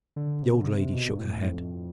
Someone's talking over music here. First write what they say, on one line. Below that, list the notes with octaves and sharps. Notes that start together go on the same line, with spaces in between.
The old lady shook her head.
D3
C3
D3
C3
B2
G2
A2
F2